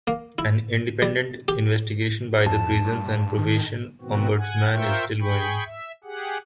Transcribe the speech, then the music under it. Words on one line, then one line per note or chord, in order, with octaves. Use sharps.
An independent investigation by the Prisons and Probation Ombudsman is still ongoing.
A#3
E4
G3
G4
F2 A5
G2
D#3
G#2 B2 D#3 B3 C4 F#4
F#5 G#5
F4 A#4 C5 E5 G5 C#6
G#4 G5 B5 C#6
E5
G4 G#4 F#5